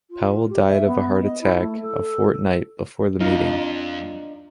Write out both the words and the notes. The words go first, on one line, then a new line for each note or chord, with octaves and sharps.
Powell died of a heart attack a fortnight before the meeting.
F4
G4
E5
B3
D#5
E4
A3
A4
F2 D4 D#4 F4